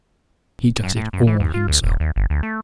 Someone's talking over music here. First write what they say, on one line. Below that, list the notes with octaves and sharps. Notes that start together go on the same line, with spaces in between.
He does it all himself.
F#2
A2
F#2
E3
D#2
F4
D2
D#1
D#2
G1
D2
A3